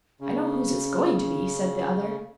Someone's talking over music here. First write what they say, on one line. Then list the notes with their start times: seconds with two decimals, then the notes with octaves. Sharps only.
"I know whose it's going to be," said the other.
0.20 C#3 C#4